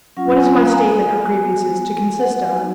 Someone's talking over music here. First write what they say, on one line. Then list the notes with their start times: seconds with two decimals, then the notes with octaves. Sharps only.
"What is my statement of grievances to consist of?"
0.17 F#3 C#4 F4 F#5
0.36 G#5
0.55 F5
0.67 A#5
0.73 G#5
1.32 B3 F#4
1.89 G#5
2.19 F#5
2.47 F#3 B3 D#4 F#4 G#5